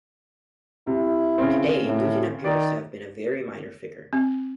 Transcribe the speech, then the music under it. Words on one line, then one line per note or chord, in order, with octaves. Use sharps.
Today Newton appears to have been a very minor figure.
C3 E4
C#3 C4
A2
D#3 D5
C4